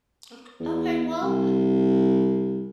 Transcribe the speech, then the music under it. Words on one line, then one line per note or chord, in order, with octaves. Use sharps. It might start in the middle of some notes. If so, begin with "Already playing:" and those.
M k okay, well,
E2
C2